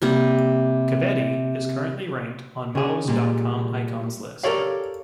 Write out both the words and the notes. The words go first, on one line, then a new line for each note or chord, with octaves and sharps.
Kebede is currently ranked on models dot com icons list.
C3 G3 A#3
C#3 G#4
A#2 G3 G#3
G4 A4 A#4 C#5 D5 F5